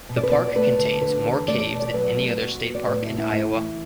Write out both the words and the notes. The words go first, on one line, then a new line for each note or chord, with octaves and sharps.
The park contains more caves than any other state park in Iowa.
B2
D5
B4
B3 D5
A3 B4
D3
D3 B4
E2
A3 D5
B2
D5
F#3 B4
A3
B3 F#4
B3
D5
A2 B4
E4
A2
E4
A3
E3